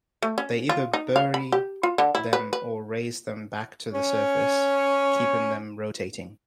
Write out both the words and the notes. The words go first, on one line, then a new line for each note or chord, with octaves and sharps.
They either bury them or raise them back to the surface, keeping them rotating.
A3
C#4
F4
D#4
F5
B5
G4
F4
D3
E4
B4
B4
C#4 C#5